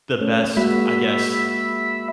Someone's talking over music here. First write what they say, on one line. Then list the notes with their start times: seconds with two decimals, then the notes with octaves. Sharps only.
the best, I guess,
0.21 A3 C#4
0.57 G#3 A#3 F#4 E5 B5